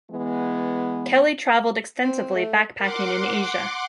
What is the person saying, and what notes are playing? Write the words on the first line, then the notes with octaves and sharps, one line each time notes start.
Kelly traveled extensively backpacking in Asia.
E3 G#3 B3
C4
A3
A#4 F#5 C6 D6